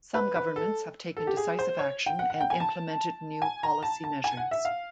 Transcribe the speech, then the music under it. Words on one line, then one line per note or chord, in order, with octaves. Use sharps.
Some governments have taken decisive action and implemented new policy measures.
B4
B4
A4
A4
G4
G#4
C5
C#5
G5
F#5
F#5
G5
G#5
A5
G#5
A#5
A5
A5
G#5
F#5
E5
F5